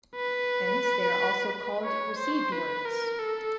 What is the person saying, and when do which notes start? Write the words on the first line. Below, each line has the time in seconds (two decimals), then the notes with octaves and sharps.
Hence they are also called received words.
0.16 B4
1.85 C#5
2.18 C5
2.52 B4
2.85 A#4
3.19 A4